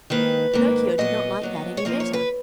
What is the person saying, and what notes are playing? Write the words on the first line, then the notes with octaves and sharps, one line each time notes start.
But Pinocchio did not like that any better.
G#2 D#3 A#3 B4
G#2 D#3 A#3
A#2 F#3 B3 D#5
A#2 F#3 B3
C#5
F#2 F3 A#3 D#5
C#5
B4